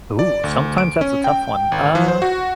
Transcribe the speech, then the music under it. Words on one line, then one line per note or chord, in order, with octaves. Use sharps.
Ooh, sometimes that's a tough one, uh,
D5
D2
D7
C#4
G5
G#1
E3
C5
F#4